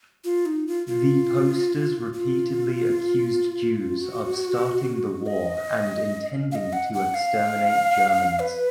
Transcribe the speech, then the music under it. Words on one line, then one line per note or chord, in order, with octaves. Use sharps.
The posters repeatedly accused Jews of starting the war and intending to exterminate Germans.
F4
D#4
F4
F4
F4
F#4
D#5
F5
D#5
F#5
F#5
F5
B4